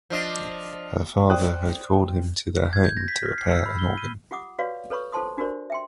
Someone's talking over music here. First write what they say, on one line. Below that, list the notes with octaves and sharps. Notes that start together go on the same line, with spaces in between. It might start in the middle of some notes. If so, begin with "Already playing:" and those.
Her father had called him to their home to repair an organ.
F3 D4 D#5
C5 D5 G5 D#6 F#6
G#6
G6
A#6
B6
F6
C7
E6
B5
G7
D#7
F4 G4 F#5 D6 D#6
F#4 G4 B4 C#5 D5 F5
A4 B4 C#5 B5 C#6
F4 A4 C5 A5 C6 D#6
D4 F#4 G4 A#4 C5 D5
E5 G5 C6